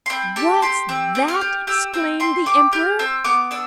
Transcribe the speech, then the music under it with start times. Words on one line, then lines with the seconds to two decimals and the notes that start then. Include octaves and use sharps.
"What's that?" exclaimed the Emperor.
0.06 C6
0.10 C4 B5
0.36 G4 A5
0.62 G4 C6
0.89 C4 E6
1.15 C4
1.28 F6
1.41 G4
1.67 G4 E6
1.94 C4 E6
2.20 C4 C6
2.46 G4 D6
2.73 G4 F6
2.99 C4 E6
3.24 B3 D6
3.51 D4 E6